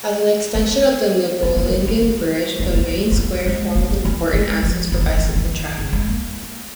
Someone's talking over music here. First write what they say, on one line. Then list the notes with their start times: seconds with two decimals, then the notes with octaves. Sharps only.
As an extension of the Nibelungen Bridge, the main square forms an important axis for bicycle traffic.
0.55 B3
1.43 B3
1.57 A#3
1.71 G#3
1.87 B3
2.01 A#3
2.60 A#3
2.67 B3
2.74 A#3
3.12 B3
3.17 A#3
3.46 G#3
3.75 A#3
3.90 A#3
4.05 A#3
4.33 G#3
4.63 F3
4.92 D#3
5.01 F3
5.09 D#3
5.17 F3
5.27 D#3
5.36 F3
5.45 D#3
5.78 C#3
5.93 G#3
6.07 A#3